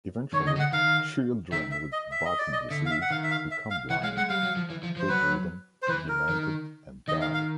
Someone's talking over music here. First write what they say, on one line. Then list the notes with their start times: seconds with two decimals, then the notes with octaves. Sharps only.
Eventually, children with Batten disease become blind, bedridden, demented, and die.
0.33 D#3 C#5
0.40 D3
0.47 C#3 D#5
0.56 D3
0.59 F#5
0.72 D#3 F5
1.52 D#3 E5
1.71 E5
1.92 D#5
2.11 E5
2.25 D#5
2.38 D5
2.53 D#5
2.71 D3 E5
2.86 F5
2.91 E5
3.02 F#5
3.10 D#3 F5
3.23 E5
3.31 F5
3.51 E5
3.70 F5
3.90 E3 F#5
4.03 G#3 F5
4.17 G#3 F#5
4.29 G3 F5
4.43 F#3
4.56 F3
4.70 E3
4.83 F3
4.96 F3
4.99 C5
5.09 F#3 B4
5.82 C5
5.88 E3 B4
6.09 A#4
6.29 D#3
7.08 D#3 D#5
7.21 F5
7.34 F5